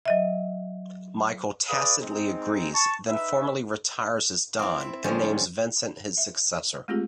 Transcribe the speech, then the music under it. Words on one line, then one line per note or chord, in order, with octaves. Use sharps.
Michael tacitly agrees, then formally retires as Don and names Vincent his successor.
F#3 D#5 E5
G#4 B4 D5 F5 D#6
G#3 C4 D#4
A5 C#6
D#4 B4 E5
C4 E4
E5
D3 F3 G3 G#3 C4 C#4
E5
G#3 A3 C4 F4 G4 G#4